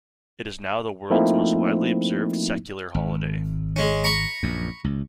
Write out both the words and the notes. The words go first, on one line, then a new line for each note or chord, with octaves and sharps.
It is now the world's most widely observed secular holiday.
F3 A3 A#3 C4 D#4 E4
G#1
G#3 C#4
A#5 B5 C#6
A#1 F#2
C#2